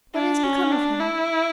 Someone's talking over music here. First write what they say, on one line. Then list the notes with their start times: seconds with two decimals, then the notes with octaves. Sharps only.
"What has become of him?"
0.15 D4
0.43 C#4
0.72 D4
1.00 E4